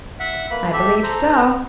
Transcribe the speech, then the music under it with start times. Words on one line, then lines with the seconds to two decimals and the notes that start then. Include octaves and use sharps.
"I believe so."
0.20 E5 F#5
0.51 A#3 B4 B5
0.73 G4 A4 E5
1.03 A4 C5 A#5